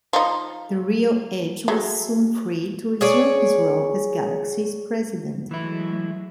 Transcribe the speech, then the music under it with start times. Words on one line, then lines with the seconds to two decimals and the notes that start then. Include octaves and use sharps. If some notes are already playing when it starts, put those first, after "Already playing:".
The real Edge was soon free to resume his role as Galaxy's president.
0.13 F3 D#4
1.68 F#3 G#3 A3
3.01 G#4 C#5 D5
5.51 E3 F#3 G#3 A3 E4